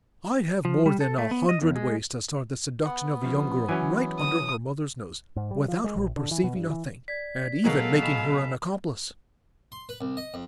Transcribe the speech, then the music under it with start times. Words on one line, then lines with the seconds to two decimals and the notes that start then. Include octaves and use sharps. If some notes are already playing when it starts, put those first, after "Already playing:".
I have more than a hundred ways to start the seduction of a young girl right under her mother's nose, without her perceiving a thing, and even making her an accomplice.
0.65 F3
0.86 G3
1.01 A4
1.18 A3
1.31 B3
1.49 D#5
1.62 E2
1.76 G#3
2.86 B3 F#5
3.22 C3 F3 C#4
3.69 E3 F#3 C#4 G#5
4.19 D#6
5.36 G#2
5.51 G3
5.68 F3
5.84 G#3
5.96 A#1
6.16 D3
6.31 E3
6.44 B2
6.56 G2
6.70 E3
7.08 D5 G#6 B6
7.64 B2 F#3 G#3 A4 A#4 F5 F#7
8.02 D#5 G#5 B5 B6 E7
9.72 C6
9.89 B4
10.01 C2
10.17 D#5
10.34 F2